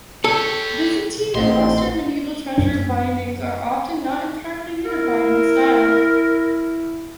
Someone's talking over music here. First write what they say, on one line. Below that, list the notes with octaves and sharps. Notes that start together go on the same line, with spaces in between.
Byzantine and Western medieval treasure bindings are often not entirely unified in style.
G4 A4 C#5
A1 C4 D#5 F5 F#5 C6
F#2 C#4 D4
E4 A#4